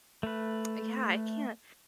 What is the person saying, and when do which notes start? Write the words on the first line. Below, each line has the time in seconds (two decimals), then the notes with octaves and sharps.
yeah, I can't
0.23 A3 B4